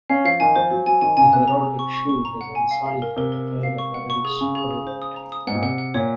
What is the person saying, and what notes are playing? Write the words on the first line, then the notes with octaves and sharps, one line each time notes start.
The heraldic shield is ensigned with the Heir Apparent's coronet.
C#4 F5
F3 F5
D#3 G#5
F3 C5
F#3 C5
F#3 G#5
D#3 G#5
C#3 G#5
C3 F#6
A#5
A#5
C#6
C#6
C#6
A#5
F#5
G#5
F5
F5
A#4
C3 A#4
A#4
A#4
F5
C#6
F#5
C#6
G#4
C#3 C#6
G#4
G#4
C5
D#6
A#5
D#6
G#2 F#5
A#2
C3 F#5
F#5
A#2 C#5